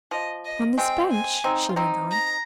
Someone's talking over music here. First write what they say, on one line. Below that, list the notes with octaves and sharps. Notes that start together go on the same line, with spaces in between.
"On this bench?" she went on.
F3 D#5
D#5
G#3 C4 G5
G#5
C4 D#4
F4
C4 D#4
A#5